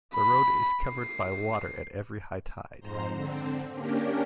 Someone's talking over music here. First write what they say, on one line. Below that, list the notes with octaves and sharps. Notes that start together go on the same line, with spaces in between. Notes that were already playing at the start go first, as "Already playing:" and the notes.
The road is covered by water at every high tide.
B5
C7
F2 G#2 C5 A#5 C6
D3 C4
A#3 C#4 D4 G4 A#4